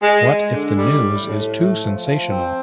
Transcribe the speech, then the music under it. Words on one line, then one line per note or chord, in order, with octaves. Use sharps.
What if the news is too sensational?
G#3
G#3
D3
G3
A2
A2
A3
F3
F3
C4